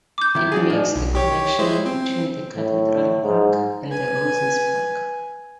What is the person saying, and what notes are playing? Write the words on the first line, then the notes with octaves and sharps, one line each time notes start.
It makes the connection between the Cathedral Park and the Roses Park.
D6 G6
D#3 E4
D4 F#4 G#4
A2 D#4 D5
B1
G4 C#5
G#3 E4 C5
C4
A2
G#2
B4 G#5